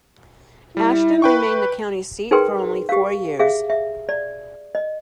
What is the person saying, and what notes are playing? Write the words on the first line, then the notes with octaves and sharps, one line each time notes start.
Ashton remained the county seat for only four years.
G3 E4
B4 G5 C#6
D#4 G#4 A#4 B4 G5 C6
G4 F5
G#4 E5 F5
E5
D5
D#5